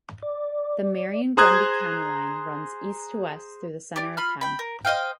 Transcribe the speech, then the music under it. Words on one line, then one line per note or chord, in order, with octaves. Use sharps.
The Marion-Grundy county line runs east-to-west through the center of town.
D5
G#4 C5 A#5 D#6 F#6 G#6
G4 D5
F4 B5 F6
G5 B5
A#4
C5 D#5 F5 G5